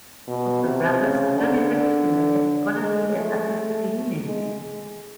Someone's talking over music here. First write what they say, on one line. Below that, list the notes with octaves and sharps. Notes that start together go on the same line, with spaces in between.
Of the brothers, John in particular had scholarly and artistic leanings.
B2
C3
C#3
D3
D3
G#3
A3
G#3